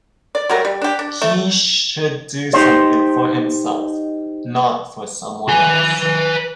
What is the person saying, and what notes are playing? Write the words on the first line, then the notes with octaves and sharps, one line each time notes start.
He should do something for himself, not for someone else.
D5
F#3 G3 A3 A#4
G3
D4 G4
D4
A3
D#4 G4 C5
B4 G#5